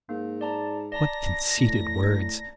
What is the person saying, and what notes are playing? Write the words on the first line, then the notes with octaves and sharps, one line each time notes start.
What conceited words!
G#2 A#3
D5 A5 A#5
D5 A5 A#5 A#6
A2